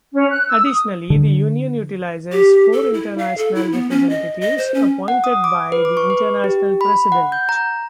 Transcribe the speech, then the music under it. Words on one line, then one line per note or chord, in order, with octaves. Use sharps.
Additionally, the union utilizes four International Representatives, appointed by the International President.
C#4
F#6
E6
D#6
D3
G4
A4
E4
F5
A4
E4
B3
C#4
D#5
D#5
C5
C#4
F#5
D#6
D6
B4
D6
C#6
B4
G4
B5
F#5
G6
A#5